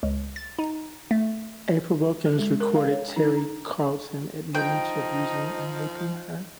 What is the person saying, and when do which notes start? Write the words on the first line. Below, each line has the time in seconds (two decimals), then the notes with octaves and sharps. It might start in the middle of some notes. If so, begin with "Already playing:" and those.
April Wilkens recorded Terry Carlton admitting to abusing and raping her.
0.03 C#2
0.36 A6
0.59 D#4
1.11 A3
2.26 A4
2.39 G#3
2.60 A#4
2.76 F5
2.91 C#5
3.16 D#4
3.35 A#5
4.55 F3 D#4 G5